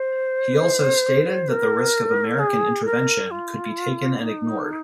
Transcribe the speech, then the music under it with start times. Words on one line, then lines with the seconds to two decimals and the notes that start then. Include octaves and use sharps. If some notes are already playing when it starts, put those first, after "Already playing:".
He also stated that the risk of American intervention could be taken and ignored.
Already playing: C5
1.49 A#4
2.39 G#4
2.85 A#4
3.31 F4
4.21 D#4